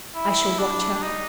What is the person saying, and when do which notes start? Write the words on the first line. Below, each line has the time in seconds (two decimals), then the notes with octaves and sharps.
I shall watch her.
0.15 E4
0.59 D4
0.94 D4
1.02 D#4